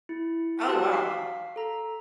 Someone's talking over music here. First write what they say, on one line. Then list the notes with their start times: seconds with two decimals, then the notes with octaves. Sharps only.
Oh, wow.
0.09 E4
0.67 F#4 G4 A5 E6 F#6
0.92 F5 B6 C7
1.56 A4 A#5